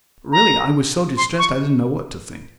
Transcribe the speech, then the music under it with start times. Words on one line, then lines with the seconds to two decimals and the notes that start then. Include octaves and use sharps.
Really I was so distressed, I didn't know what to think.
0.32 A#5
1.17 C6
1.39 C#6